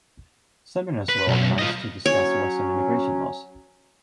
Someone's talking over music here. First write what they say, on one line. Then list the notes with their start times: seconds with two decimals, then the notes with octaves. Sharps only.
Seminars were organized to discuss Western immigration laws.
1.09 B4
1.28 B1
1.58 F4 D#5
2.06 F#3 C#4 C#5